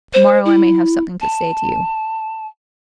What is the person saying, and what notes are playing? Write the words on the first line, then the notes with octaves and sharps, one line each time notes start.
To-morrow I may have something to say to you....
C5
E4
A5